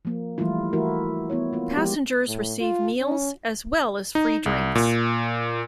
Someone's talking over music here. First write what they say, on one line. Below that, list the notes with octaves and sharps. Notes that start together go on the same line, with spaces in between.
Passengers receive meals, as well as free drinks.
F3 A#3
E3 F3 G3 A3 E4 F4
E3 A3 E4 F#4 A#4
B3 E4 C#5
A#3 F4
F3 G#3 G4
A2
F4
C#4
D#4
C2
A#2